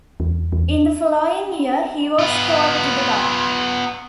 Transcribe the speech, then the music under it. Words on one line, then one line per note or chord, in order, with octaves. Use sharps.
In the following year he was called to the bar.
E2
E2
B3 F4